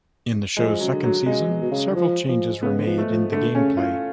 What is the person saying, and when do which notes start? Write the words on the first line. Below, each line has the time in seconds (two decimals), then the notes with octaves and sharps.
In the show's second season, several changes were made in the gameplay.
0.57 F3 G#3
0.80 C#3 F#3
0.92 D3
1.03 F#3
1.26 C#3 G#3
1.49 B2
1.61 B2
1.71 C#3
1.90 D3
1.95 F3
2.28 F3
2.63 C#3 B3
2.78 D3
2.86 F3
2.98 A3
3.10 F3
3.32 D3 A3
3.55 C#3 C#4
3.77 A2 F4